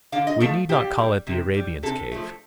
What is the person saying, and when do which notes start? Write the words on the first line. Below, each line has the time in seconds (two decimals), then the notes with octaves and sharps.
We need not call it the Arabian's cave.
0.12 D3 F5
0.27 D#5
0.40 F3 A3 A4
0.69 A#2 G4
0.98 G3
1.27 C3
1.54 G3
1.83 C3 A4
2.12 F3 A3